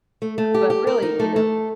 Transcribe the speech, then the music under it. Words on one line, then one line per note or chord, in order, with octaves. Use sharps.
But really, you know,
A3
A3
G4
G4
A#4
D#4
A3
A3